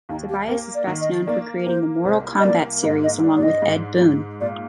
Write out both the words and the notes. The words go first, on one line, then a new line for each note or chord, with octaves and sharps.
Tobias is best known for creating the "Mortal Kombat" series along with Ed Boon.
D#2 D#4
G4
A#3 A#4
D5
D#3
D#5
A#3 D5
A#3 C5
C2 C5
D#5
A#3 D5
G#2 D#5
D#5
D4
D5
D#5
G#2
G#2
A#2 D5